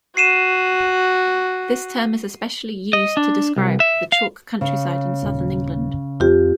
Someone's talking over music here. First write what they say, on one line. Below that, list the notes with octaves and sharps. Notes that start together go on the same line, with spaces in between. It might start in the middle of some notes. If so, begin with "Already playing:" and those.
This term is especially used to describe the chalk countryside in southern England.
F#4 C7 D#7 E7
D#5
D4
C2
E5
F5
C#3
D#1
F2 F4 G4